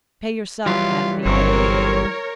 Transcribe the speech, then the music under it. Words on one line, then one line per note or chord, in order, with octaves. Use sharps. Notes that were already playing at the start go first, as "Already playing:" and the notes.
"Pay yourself," added the unknown.
E3 F#3 G3 F4
G1 C4 A#4 C#5